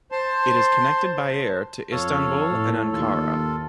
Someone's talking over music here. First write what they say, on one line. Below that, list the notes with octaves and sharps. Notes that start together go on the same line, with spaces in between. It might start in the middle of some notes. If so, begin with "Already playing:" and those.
It is connected by air to Istanbul and Ankara.
C5 A5 C6
F2 A4 C#5 F5
A2
D#2 F4 A4